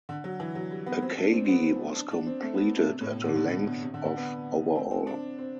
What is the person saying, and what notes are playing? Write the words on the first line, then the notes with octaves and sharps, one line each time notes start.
"Akagi" was completed at a length of overall.
D3
F#3
E3
F#3
G3
B3
C4
D4
C4
C4
B3
C4
D4
D4
C4
A3
B3
A3
C3
A2
B2
D3
D3
B2
B2
C3
D3
D3
B3
C4
C4
D4
C4